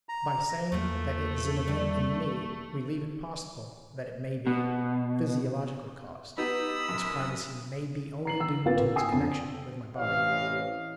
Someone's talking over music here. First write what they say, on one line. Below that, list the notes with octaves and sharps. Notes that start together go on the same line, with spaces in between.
By saying that it is an event in me, we leave it possible that it may be PHYSIOLOGICALLY caused: its privacy may be only due to its connection with my body.
A#5
E2 E3 F3 A3 A#3
G3
B2
B3 D#4 G4 B5 D#6 E6
F#2
A#5 C7 F#7
E6
G#1 A#3 F4 B4 A6
A#2
G5 G#5 D#6 E6 C7
F2 D3
A1 C3 E3 C#5 D#5 F5